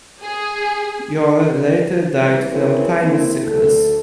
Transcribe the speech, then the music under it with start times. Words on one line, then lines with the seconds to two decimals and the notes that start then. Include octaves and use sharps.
Yor later died from time sickness.
0.24 G#4
2.19 B2 E3 G3 B3
2.49 B3 C4 E4 G#4 A#4 C#5
3.00 A#3 C4 E4
3.44 D2 A4